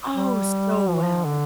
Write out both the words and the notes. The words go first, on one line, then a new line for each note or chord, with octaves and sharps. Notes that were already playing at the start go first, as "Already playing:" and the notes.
Oh, so well.
G3
F3
E3
F3
D3